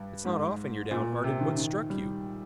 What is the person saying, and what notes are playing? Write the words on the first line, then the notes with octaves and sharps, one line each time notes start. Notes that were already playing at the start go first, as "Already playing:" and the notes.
"It's not often you're downhearted. What's struck you?"
Already playing: G2
G#2
A#2
C3
D#3
D#3
G3